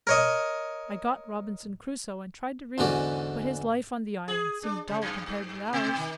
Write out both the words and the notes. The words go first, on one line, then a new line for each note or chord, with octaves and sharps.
I got "Robinson Crusoe" and tried to read, but his life on the island seemed dull compared with ours.
A#4 C#5 D#5
E2 G#2 D3 C#4 F#4 D5
G#4
D4
C#3
F#2
G2
B2
D#3